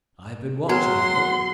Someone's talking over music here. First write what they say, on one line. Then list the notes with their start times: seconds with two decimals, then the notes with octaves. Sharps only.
I have been watching her.
0.69 F#3 B3 G#4 F#5 G5 C6